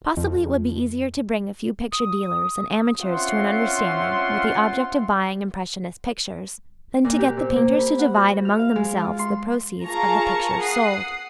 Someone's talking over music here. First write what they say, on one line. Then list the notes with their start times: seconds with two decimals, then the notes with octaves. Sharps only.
Possibly it would be easier to bring a few picture-dealers and amateurs to an understanding with the object of buying impressionist pictures, than to get the painters to divide among themselves the proceeds of the pictures sold.
0.17 F2
1.92 D#6
3.01 C4 C#4 F4 E5 F#5 C6
7.05 A#2
7.18 G4
7.37 C3
7.56 A#3
7.79 B5
7.99 F#5
8.14 F#4
8.45 F6
8.59 F5
8.76 G#3
8.98 F4
9.19 C6
9.86 F4 G#4 A#4 A5 A#5 C#6
10.60 F#5 D#6 C7